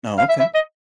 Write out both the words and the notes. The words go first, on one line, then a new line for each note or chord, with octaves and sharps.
Oh, okay.
F5
E5
E5
D#5